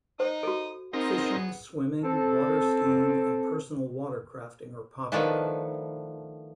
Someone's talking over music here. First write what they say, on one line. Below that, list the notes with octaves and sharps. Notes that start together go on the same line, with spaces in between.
Fishing, swimming, water skiing, and personal watercrafting are popular.
D#4 C5 D#6
F#4 A4
B3 C4 D#4 G#4 A#4
C4 A4
D#3 F3 A3 B3 D4 E4